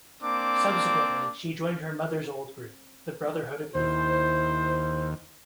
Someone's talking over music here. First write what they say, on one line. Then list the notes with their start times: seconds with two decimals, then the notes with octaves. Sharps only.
Subsequently, she joined her mother's old group, the Brotherhood of Evil.
0.22 A#3 C4 D4 D6
3.75 D#2 E4 C5